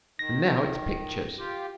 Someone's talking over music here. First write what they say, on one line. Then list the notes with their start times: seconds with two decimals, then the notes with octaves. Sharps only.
And now it's pictures.
0.19 D#3 A#6
1.39 F4 G4